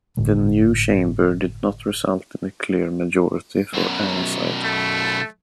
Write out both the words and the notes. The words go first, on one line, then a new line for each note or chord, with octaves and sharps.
The new chamber did not result in a clear majority for any side.
G1 A2 D3 G#3
F#2 B2
A3